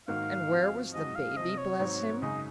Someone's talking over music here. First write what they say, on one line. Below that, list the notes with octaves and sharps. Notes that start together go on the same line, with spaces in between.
And where was the baby, bless him?
G#2 D#3 A#3 D#4 F#4 F5
F3 C4 F#4
F#2 F3 G#3 D#4 F#4 D#5
F5
C3 F3 C4 D#5
C#5
G#2 F#3 C4 D#4
F#2 C#3 G#3 D#4 D#5